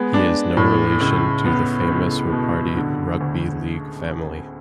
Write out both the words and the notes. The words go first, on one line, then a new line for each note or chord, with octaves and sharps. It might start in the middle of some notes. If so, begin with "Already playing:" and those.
He is no relation to the famous Ropati rugby league family.
Already playing: G#3 B3
D4
A2
C#2
B3
C#2
B2
D3
D2